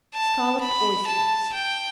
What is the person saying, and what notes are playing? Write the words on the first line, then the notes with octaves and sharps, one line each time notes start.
Scolloped Oysters.
A5
B5
A5
G5